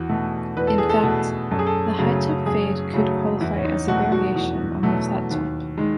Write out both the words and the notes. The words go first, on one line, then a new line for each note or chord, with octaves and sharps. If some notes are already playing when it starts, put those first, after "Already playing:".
In fact, the hi-top fade could qualify as a variation on the flattop.
Already playing: E2 F#4
B2 A3
E2 B4
A4
G#4
A4
B2 A3
F#2 A4
G#4
A4
C#3 F#3 A3
F#2 G#4
C#3 F#3 A3
E2 E4
C#4
D#4
B2 F#3 A3 F#4
F#4
E2
B2 F#3 A3
D#2
D#3 G#3